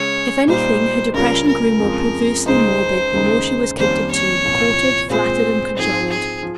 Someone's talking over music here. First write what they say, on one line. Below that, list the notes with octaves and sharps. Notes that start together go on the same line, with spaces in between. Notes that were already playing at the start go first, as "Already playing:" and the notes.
If anything her depression grew more perversely morbid the more she was catered to, courted, flattered, and cajoled.
Already playing: C#3 G#3 C#4 C#5
A#2 G3 A#3 D#4 C5
C#2 C#3 G3 C#4 F4 A#4
A#4
F2 C#3 F3 G#3
C#2 C#3 G#3 D#4 C5
D#2 C#3 G#3 D#4
F2 D#3 G3 A#3 C#4 C5
C#5
C2 A#2 F3
A#2 G#3 C4 F4 C5
G#2 F3 C4 G#4
G#4
F3